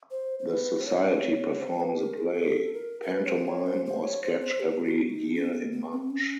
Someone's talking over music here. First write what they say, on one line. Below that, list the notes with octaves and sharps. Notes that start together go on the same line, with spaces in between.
The society performs a play, pantomime or sketch every year in March.
C5
C5
B4
C5
C#5
C5
B4
A#4
G#4
A4
A#4
A#4
B4
C#5
C5
C#5
C5
C5
C#5
C5
C5
G4
F#4
D#4
C#4
B3
B3
C4
C#4